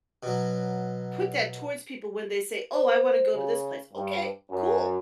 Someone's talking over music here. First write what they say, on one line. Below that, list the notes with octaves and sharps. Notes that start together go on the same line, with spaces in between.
put that towards people when they say, "Oh, I wanna go to this place," okay, cool.
B2 F#3
C5
C#3
G2
F#2